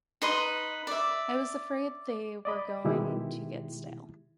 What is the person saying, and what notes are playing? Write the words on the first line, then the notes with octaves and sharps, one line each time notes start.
I was afraid they were going to get stale.
D#4 B4 D#5 C6
D5 E5
D5 D#5 B5
B2 D#3 G#3 E4 G4